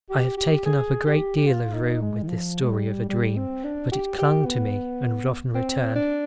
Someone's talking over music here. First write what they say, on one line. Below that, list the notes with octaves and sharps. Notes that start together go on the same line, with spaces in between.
I have taken up a great deal of room with this story of a dream, but it clung to me, and would often return.
G4
G4
G#4
G4
G4
F4
D#4
G#3
D#3
F3
G#3
G3
G3
C4
D4
G4
G4
B3
C4
D4